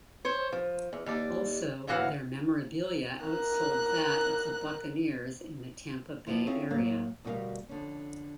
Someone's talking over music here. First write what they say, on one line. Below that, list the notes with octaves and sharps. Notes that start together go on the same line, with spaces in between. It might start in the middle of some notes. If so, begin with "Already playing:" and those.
Also, their memorabilia outsold that of the Buccaneers in the Tampa Bay area.
C5 C#5
F3
E2
D#2 D5
D2 A2 E3 F#4 F5 F#5
A#4 F#6
F3 A#3 B3 E4 F4
C4 C#4 E4 F4 G#4 A4
A2 F#3 A#3 F5
D2 B2 G3 G4 A#4 F5
F2 D3 C#4